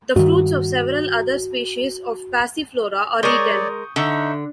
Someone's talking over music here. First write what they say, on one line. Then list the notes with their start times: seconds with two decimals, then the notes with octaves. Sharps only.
The fruits of several other species of Passiflora are eaten.
0.16 G2 D#3 F#4
3.23 G#3 A#4 C#5 D5 C#6 D#6 G6
3.96 D3 D#4 E5 C#6 E6